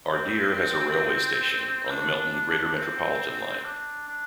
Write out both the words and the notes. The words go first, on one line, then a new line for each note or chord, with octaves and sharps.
Ardeer has a railway station on the Melton greater-metropolitan line.
C4
D4
C4
D4
D4